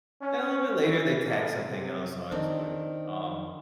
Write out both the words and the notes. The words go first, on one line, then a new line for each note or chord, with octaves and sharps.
And a little bit later, they tack something else onto it. Um,
C#4
E3
A1
C3
D#3 C4 D4